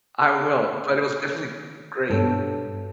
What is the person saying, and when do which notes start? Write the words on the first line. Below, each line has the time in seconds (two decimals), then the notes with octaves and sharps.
I will, but it was definitely great.
2.10 G2 B2 A4 C#5